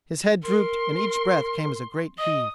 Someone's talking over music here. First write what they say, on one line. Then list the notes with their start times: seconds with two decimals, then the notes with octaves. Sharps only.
His head drooped and each breath came as a great heave.
0.43 A#4 C6
2.18 D#5 D#6